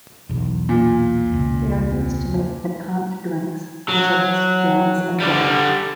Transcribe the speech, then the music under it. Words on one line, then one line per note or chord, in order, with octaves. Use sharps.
They are used to make piquant drinks, desserts, jams, and jellies.
B1 E2
A#2
E1 C#2
F#3
D3 G3